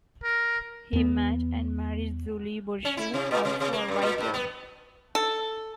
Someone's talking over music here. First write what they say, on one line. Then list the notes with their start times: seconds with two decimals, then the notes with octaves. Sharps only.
He met and married Julie Burchill, also a writer.
0.24 A#4
0.93 E2 B3
2.85 C#4
2.97 E4
3.13 C3
3.31 A#2
3.45 C3
3.60 C3
3.73 A#3
3.88 F#2
4.02 A#2
4.18 G2
4.34 B3
5.15 A4